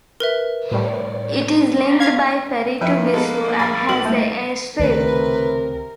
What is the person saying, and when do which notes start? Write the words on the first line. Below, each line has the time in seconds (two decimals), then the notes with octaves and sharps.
It is linked by ferry to Bissau and has an airstrip.
0.20 A#4 B4 E5
0.71 A2 G3
2.00 F5 G#6
2.81 F2 F3 C4 E4 B4 G5
2.97 A#3 D#4
3.14 G#3 B3 A4 B4
3.59 A#1 G#5 B5 A6
3.89 B1 F#4 F#7
4.05 G3 A3 A#3 E4
4.79 C#2 C3 D#3 A3 A#4 B4